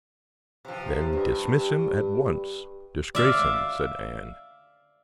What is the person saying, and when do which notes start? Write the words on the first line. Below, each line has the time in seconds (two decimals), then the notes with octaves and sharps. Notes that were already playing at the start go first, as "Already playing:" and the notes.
"Then dismiss him at once, disgrace him," said Anne.
0.65 C3 F3
1.13 G2
3.15 D5 E5 F5